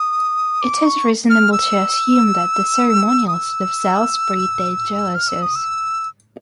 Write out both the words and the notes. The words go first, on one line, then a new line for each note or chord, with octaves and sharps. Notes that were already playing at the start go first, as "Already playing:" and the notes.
It is reasonable to assume that the ceremonials themselves pre-date Gelasius.
Already playing: D#6
D6
C#6
F6
E6
D#6
E6
F6
E6
D#6
E6